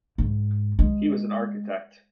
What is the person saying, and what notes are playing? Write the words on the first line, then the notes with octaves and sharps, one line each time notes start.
He was an architect.
G#2
G#3